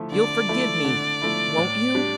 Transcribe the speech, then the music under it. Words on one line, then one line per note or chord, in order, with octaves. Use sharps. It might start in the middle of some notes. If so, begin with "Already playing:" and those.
You'll forgive me--won't you?
Already playing: D3 F3 A3 E4
D3 D5
F3 A3 E4
D3
F3 A3 E4
A2
G3 D4 G4